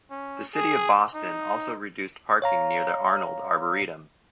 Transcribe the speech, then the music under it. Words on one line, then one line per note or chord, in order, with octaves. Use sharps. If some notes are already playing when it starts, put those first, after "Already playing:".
The City of Boston also reduced parking near the Arnold Arboretum.
C#4
G#4
D#4
C#5 F5 A#5